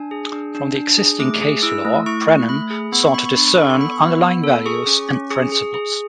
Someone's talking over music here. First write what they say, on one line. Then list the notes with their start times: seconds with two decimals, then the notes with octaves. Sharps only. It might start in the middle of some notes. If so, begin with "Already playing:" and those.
From the existing case law, Brennan sought to discern underlying values and principles.
Already playing: D4 G#5
0.11 G#4
0.32 D4
0.55 D4
0.76 D4
0.97 G#4
1.19 A3 D6
1.41 G#4
1.63 E4 E6
1.85 A3
2.06 E4 C#6
2.28 A3
2.49 A3 B5
2.70 G#4
2.92 B3 B5
3.03 C#6
3.14 B3 B5
3.26 C#6
3.36 D4 B5
3.48 C#6
3.57 A4 B5
3.70 C#6
3.79 B3 B5
3.92 C#6
4.01 B3 B5
4.22 B3
4.44 A4
4.66 G#4 C#6
4.87 C#4
5.09 C#4
5.31 G#4
5.52 G#4
5.74 G#4